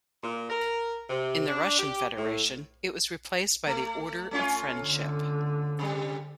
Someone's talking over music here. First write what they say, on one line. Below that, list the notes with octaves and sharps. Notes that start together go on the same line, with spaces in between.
In the Russian Federation it was replaced by the Order of Friendship.
A#2
A#4
C3
D4
G4
A2
A3
A3 C#4 F4
D3
C3 G3